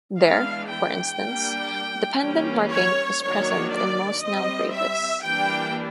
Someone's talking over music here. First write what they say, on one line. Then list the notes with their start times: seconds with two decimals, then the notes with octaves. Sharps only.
There, for instance, dependent-marking is present in most noun phrases.
0.19 E3 G#3 B3 D4 F5
0.69 G5
1.20 G3 A#3 D4
2.21 E3 G3 A#3 C#4
2.71 C#5
3.22 D#3 F#3 A#3 D4 C#5
3.72 D5
4.22 G3 C4 D#5
4.73 E5
5.24 E3 G3 A#3 D4 G5